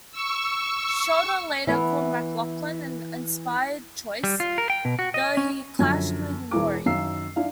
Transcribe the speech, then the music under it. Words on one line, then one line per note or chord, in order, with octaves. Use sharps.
Sholder later called MacLachlan "an inspired choice", though he clashed with Nouri.
C#6 E6
E3 B3
G3
F4
A#4
G5
B2
F#4
D#5
C#4
F#2 D3 F3 G#6
E1 E3 D6
F#2 D#3 F5 E6 C7
D4 E4 F5